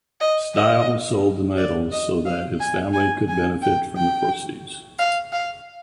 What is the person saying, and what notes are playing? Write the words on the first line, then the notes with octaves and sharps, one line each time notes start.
Stiles sold the medals so that his family could benefit from the proceeds.
D#5
D#5
D5
D#5
F5
G#5
G#5
G#5
G5
G5
F5
F5